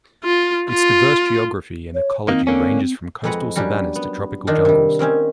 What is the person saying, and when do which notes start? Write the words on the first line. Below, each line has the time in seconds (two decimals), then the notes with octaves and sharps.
Its diverse geography and ecology ranges from coastal savannahs to tropical jungles.
0.24 F4
0.70 F4
1.94 C#5
2.28 D#3 A#3 C4
2.47 D3 A#3 C#4
3.24 F2 G#3 C4 B4 F#5 A#5
3.56 F#3 G3 C#4 D4 G4
3.96 B3
4.47 D#3 D4 D#4 F4
4.65 C3 G3
4.99 A#3 C4 C#4 D#4